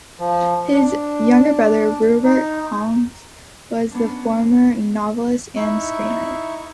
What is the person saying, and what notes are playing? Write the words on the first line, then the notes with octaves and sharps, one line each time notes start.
His younger brother, Rupert Hughes, was the famed novelist and screenwriter.
F3
D4
D#4
B3 C#4 D4
D#4 E4 E5 C#6